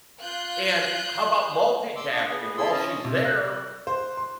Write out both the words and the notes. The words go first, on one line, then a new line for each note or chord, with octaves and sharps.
And how about multitasking? While she's there
F4 F#6 G6
C6 D6 E6
D4 D#5
B3 G#4
E4 G#4 A4 C6 E6
C#4 D#5 A5
C3
F#6
C5
C6